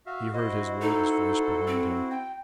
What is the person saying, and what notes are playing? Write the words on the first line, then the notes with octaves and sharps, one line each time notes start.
He heard his warder's voice behind him.
F#4 E5 F5
E4 F#4 C5 D#5
D#4 A4
C4
G5